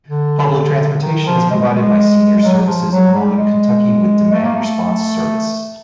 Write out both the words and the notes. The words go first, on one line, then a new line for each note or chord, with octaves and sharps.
Public transportation is provided by Senior Services of Northern Kentucky with demand-response service.
D3
D3
D#3
F3
G#3
G3
G#3
F#3
F#3
F3
F#3
G3
G#3
A3
A#3
A3